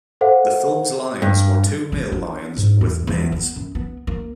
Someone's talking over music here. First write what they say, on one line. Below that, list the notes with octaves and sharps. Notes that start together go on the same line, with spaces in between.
The film's lions were two male lions with manes.
A4 C5 F5 F#5
G2
G#3
D4
G#2
E2
E2
B3
F#2
B3
A#3